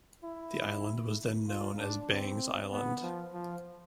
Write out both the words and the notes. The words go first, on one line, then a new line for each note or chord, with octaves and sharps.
The island was then known as 'Bangs Island'.
E4
F4
D4
C4
B3
F3
F3